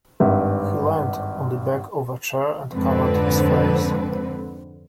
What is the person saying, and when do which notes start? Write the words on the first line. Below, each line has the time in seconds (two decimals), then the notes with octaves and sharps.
He leant on the back of a chair, and covered his face.
0.20 G#1 G2 E5
2.72 F2 G#2 D3 C4 B4